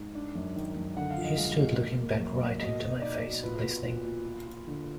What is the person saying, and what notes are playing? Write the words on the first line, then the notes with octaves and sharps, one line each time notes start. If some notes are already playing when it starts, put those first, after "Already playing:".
He stood looking back right into my face and listening.
Already playing: G#2
D4
F#2
D#3
F#2
D3 F#5
F5
F3
D#5
G#3 F5
G#3
A#3
A#3
F#2
A#3
B2 D#5
B2
D#4 D5
B2
F4 B4
B3
A#2
A#2
F4
F4
D3